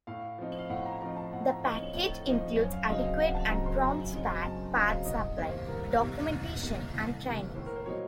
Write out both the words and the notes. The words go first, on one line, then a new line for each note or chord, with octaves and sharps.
The package includes adequate and prompt spare parts supply, documentation and training.
A2 F5
F3 C4 D#4
F5
A2 F#5
A#5
F3 C4 D#4 A#5
A5
A2 F#5
A#5
F3 C4 D#4
C#5
A2
F3 C4 D#4
F#2 C#5
F5
C#3 F#3 C4 D#4 D#5
F5
F#2 F#5
A5
C#3 F#3 C4 D#4 A#5
C6
F#2 A#5
C#3 F#3 C4 D#4
F#2 A5
C#3 F#3 C4 D#4 F5
C2 D#5
C3 D#3 A#3 C5
C2 A#4
C3 D#3 A#3
C2
C3 D#3 A#3
C2
C3 D#3 A#3
A2 C5
A#4
C5
F#3 A#3 D#4 C#5